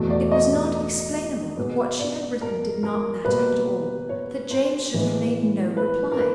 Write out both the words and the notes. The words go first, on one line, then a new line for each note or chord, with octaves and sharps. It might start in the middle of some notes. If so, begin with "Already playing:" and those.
It was not explainable that what she had written did not matter at all, that James should have made no reply.
Already playing: E2 B2 F#3 A3
D5
D#5
D5
B2 G#3 B3
D5
A#4
A#4
B2 G3 A#3 B4
C#5
C5
A2 E3 G#3 B3
B4
A#4
B4